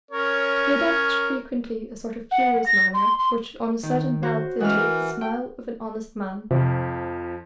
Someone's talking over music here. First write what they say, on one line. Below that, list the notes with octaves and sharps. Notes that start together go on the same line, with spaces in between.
He adopts frequently a sort of furious manner which on a sudden melts into the smile of an honest man.
C#4 A#4 C#5
F#5
A#6
C6
C6
D#3
F#4 C5
E3 G#3 C#4 F#5 F6
A#4
G5
F2 C3 F3